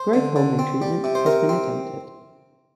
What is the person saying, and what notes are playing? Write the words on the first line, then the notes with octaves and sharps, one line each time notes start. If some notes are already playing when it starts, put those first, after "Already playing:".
Growth hormone treatment has been attempted.
Already playing: C5
D3
D3
C4
G3
C3
C5
C3 A#4
C4